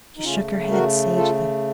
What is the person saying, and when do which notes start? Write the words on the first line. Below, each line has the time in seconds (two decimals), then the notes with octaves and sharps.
She shook her head sagely.
0.18 D#4
0.23 C#3 A3 C#4 F4
0.70 F#4 A#4
1.16 F4 A4